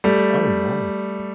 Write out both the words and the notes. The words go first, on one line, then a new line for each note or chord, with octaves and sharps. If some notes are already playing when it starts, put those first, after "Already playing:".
Oh, my.
G3 A3